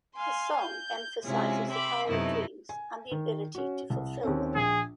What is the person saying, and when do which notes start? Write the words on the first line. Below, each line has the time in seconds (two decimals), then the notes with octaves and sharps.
The song emphasizes the power of dreams and the ability to fulfill them.
0.15 F5 G#5 C6
0.60 G6
1.24 C3 G#3 C#4 E4 F4 G#4
1.70 E5 G5 B5 C6 D6
2.08 F#2 C3 A3 B3 D#4 E4
2.69 G#5
3.12 D#3
3.55 C#4 F#4
3.90 C2
4.23 D#2 C4 C#4
4.55 A#1 G#4